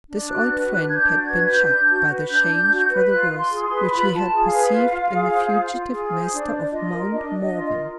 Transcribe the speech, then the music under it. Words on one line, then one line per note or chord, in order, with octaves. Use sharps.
This old friend had been shocked by the change for the worse which he had perceived in the fugitive master of Mount Morven.
D4
F#4 F#6
B4
D4 F#6
D4 G#6
G6
F#4
G#6
B4
D4 G6
D4
F#4
B4
D4 G6
D4
F#4
B4
F4 F#6
F4
C6
G#4
C6
B4
F4 B5
F4
A5
G#4
F5
B4
F4
F4
G#4
C5
F4
F4
G#4
C5
D4 D5
D4
F4 D#5
A#4
D4 D#5
D4
D#5
F4
D#5
A#4